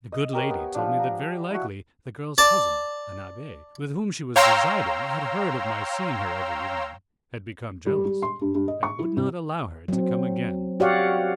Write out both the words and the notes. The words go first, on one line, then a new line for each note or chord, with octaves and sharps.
The good lady told me that very likely the girl's cousin, an abbe, with whom she was residing, had heard of my seeing her every evening, had become jealous, and would not allow her to come again.
D#5
G4 A#4 C#5 G#5
B3
F3 D4
A#5
E4 F#4
D5 A5
C#5 F5 G5 A#5 C6 E6
G3
G3
C6
G2
G2
D#5
C#6
E4
C3
F#3 C4
F#4 G4 C#5 D5 F5 F#5